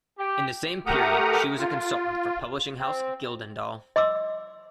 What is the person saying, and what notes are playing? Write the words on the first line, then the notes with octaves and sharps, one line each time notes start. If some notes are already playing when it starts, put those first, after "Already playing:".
In the same period she was a consultant for publishing house Gyldendal.
G4
A3 G4 A#4 F#5 A#5 D#6
F4
C4
D#5 C6 D6 E6